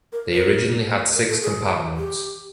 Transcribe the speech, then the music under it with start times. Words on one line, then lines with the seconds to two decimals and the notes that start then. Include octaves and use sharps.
They originally had six compartments.
0.13 A#4
0.33 A#4
1.15 A#4
1.29 A4
1.42 G#4
1.97 G4